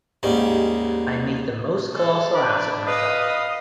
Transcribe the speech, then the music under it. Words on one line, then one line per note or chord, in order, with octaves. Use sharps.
I made the most colossal ass of myself.
D#2 G#2 G3 C#4
G#3 A4
D4 B4 D5 B5
B4 D#5 F5 D#6